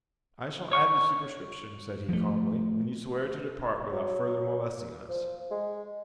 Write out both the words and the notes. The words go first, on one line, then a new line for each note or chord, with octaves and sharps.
"I shall add the superscription," said he calmly, "when you swear to depart without further molesting us."
C#5 C#6
F3 A3
F#3
F3
G#3